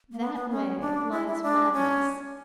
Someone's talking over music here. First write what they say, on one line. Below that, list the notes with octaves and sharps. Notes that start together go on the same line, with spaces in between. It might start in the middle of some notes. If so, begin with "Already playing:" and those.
That way lies madness.
A#3
B3
B3
C#4
D4
E4
E4
D4
C#4